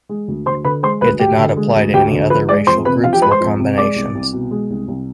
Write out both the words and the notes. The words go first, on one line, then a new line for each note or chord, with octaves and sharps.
It did not apply to any other racial groups or combinations.
G#3
D2
D2 C5 C6
D3 B4 B5
G#3 C5 C6
D2 B4 B5
D2 G4 G5
D3
G#3
D2
D2 G4 G5
D3
F3 B4 B5
G#3 D5 D6
F2 C5 C6
C3 B4 B5
F3 F4 F5
G4 G5
G#3 B4 B5
C5 C6
F2
C3
G#3 D5 D6
C2
C2
B2
G#3
C2
C2